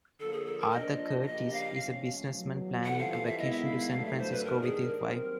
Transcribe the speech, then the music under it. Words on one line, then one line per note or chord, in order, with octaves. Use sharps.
Arthur Curtis is a businessman planning a vacation to San Francisco with his wife.
D3 F3 A#3 A4
G#4
A4
A#4
F3 A#3 D4 D#5
C#3 F3 A#3 D4 G4 D#5
F5
F2 C3 F3 A3 C#4
E2 B2 F#3
E3 G3 C4 F4 A4 F#5
F5
F5
E5
D#3 G#3 B3 E4 D#5
E5
F5
F5
G2 D3 F#3 A3 F5
E5
C5
B4
G#2 D#3 G3 A#3 D4 A#4
G#4
A#4
F#2 D#3 G3 C4